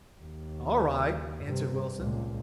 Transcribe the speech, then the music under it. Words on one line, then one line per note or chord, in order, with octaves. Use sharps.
"All right," answered Wilson.
D#2
G2 C3
C#2 A#2